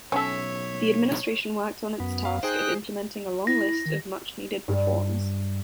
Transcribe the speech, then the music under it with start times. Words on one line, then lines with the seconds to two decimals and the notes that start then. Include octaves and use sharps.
The administration worked on its task of implementing a long list of much-needed reforms.
0.12 B1 C#4 A4 C#5 E5
2.00 F#2 B3
2.25 F5
2.43 D#4 G#4 C5 G5 F#6
3.47 E4 A#6
3.86 D#3
4.68 G2